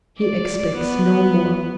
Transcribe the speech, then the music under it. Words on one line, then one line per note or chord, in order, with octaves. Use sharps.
"He expects no more."
D5
B3